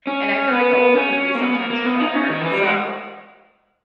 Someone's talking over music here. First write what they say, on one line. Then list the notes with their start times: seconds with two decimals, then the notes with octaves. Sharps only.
and I feel like the older movies sometimes are better, so
0.07 C#4
0.52 B3
0.73 B3
0.95 C#4
1.18 C#4
1.35 A#3
1.41 B3
1.55 A#3
1.70 A#3
1.85 B3
2.00 D#4
2.15 C#4
2.30 D#3
2.41 E3
2.52 G3
2.63 G#3